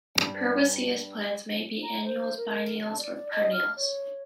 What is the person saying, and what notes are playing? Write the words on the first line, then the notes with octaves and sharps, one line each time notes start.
Herbaceous plants may be annuals, biennials or perennials.
G2 G3 D4
A#5
C5
A#4
A5
D5
D#5
F6
C#5